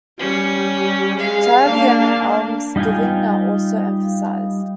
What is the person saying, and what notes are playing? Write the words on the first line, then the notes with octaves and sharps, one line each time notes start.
Charity and almsgiving are also emphasized.
G3 C#4
G#3 F5
A#3 D4
G3 D#4 F4 G5 G#5